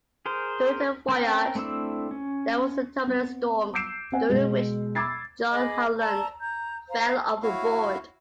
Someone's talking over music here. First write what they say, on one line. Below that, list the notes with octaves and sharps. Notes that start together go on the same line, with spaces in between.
During the voyage there was a turbulent storm during which John Howland fell overboard.
G#4 A#4 C5
C4 C#4 A#4 G5
A3 C4 D4 E4 E6
C#4
B3 C4
D6 E6 G6 C7 D7 E7
B3 C4 F#5 G#5
B2 G#3
B5 D6 E6 G#6 A6 C7
G#4 D#5 B5 D6
D5 A5 A#5 E6
A#5 G6
C5 F5 A#5
E4 F#4 C#5 F5